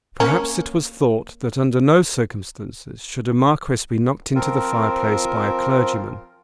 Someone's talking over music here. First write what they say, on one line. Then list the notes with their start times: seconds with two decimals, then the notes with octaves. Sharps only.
Perhaps it was thought that under no circumstances should a Marquis be knocked into the fireplace by a clergyman.
0.20 A#3 C#4
4.35 F3 C4 F4 A#4